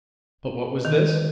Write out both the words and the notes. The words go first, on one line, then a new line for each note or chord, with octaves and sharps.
But what was this?
D#3